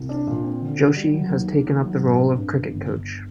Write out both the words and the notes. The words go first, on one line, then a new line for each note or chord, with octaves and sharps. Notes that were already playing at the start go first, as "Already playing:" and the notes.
Joshi has taken up the role of cricket coach.
Already playing: C2
D4
A#2
C4
D3
F#4
G3
F#3
D#2
A#3
D#3
F#3
A1
C4
G2
D3
G1
G1